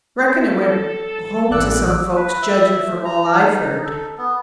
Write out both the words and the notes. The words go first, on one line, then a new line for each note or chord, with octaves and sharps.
Reckon it went home to some folks, judgin' from all I've heard.
A4
A1 A#3 D5 D6 E6 F#6
B4
E5
A3
A#5
D#4
A4
B3